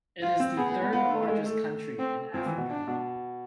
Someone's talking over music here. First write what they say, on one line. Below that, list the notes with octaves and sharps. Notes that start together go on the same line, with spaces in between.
It is the third largest country in Africa.
F4
C4
B3 G#4
B3
B3
B3 F4
A3
A3
G#3
A3
C4
F3 C4
E3
B2
D4
B2